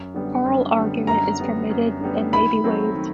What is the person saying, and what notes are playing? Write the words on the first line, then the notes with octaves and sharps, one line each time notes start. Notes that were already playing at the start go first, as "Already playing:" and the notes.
Oral argument is permitted and may be waived.
Already playing: F#2
D3 G3 B3
F#2
D3 G3 B3
F#2 A#5
D3 G3 B3
F#2
D3 G3 B3
D#3 B5
F#3 A3 C4
D#3